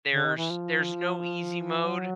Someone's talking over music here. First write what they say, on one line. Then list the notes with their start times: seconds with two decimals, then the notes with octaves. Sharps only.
There's there's no easy mode.
0.12 D3
0.24 D#3
0.37 E3
0.50 F3
1.84 F#3